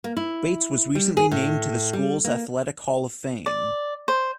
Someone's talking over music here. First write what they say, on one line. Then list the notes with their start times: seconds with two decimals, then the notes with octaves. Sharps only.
Bates was recently named to the school's athletic hall of fame.
0.04 A#3
0.17 E4
0.95 G3
1.17 G#4
1.31 A2
1.93 G3
2.24 A#3
3.46 D5
4.08 C5